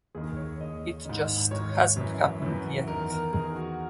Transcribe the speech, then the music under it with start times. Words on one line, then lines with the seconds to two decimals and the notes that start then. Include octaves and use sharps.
It just hasn't happened yet.
0.15 D#2 D#3 G#4
0.37 C#5
0.60 D#2 D#3 D#5
1.05 G#2 D#3
1.51 G#2 D#3 C#5
1.97 F#2 E3
2.42 F#2 E3
2.88 E2 D#3 A#4
3.10 A#4
3.33 E2 D#3 G#4
3.56 F#4